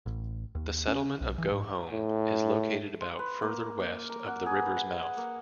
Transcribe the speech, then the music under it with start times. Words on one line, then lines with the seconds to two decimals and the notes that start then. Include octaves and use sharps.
The settlement of Go Home is located about further west of the river's mouth.
0.06 A1
0.55 D#2
0.88 C#4
1.21 B1
1.38 E3
1.52 G#2
1.92 A2
3.01 C6
3.19 B4
3.42 A#3
3.80 A#3
4.09 A#4
4.27 F#5
4.46 G#4
4.62 B4
4.77 F#5
5.17 A#3